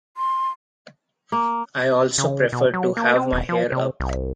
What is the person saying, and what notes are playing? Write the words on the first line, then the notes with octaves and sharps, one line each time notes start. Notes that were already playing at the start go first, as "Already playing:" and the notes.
I also prefer to have my hair up.
C6
A#3
C#3
B2
F#3
A#3
C4
D#1
F3
C3
C2